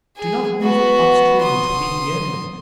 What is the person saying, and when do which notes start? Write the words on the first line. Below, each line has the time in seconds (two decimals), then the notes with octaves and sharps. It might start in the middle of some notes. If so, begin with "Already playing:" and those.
Do not move up-stream to meet the enemy.
0.17 G#4
0.62 B3 F#4
1.43 C6 D#6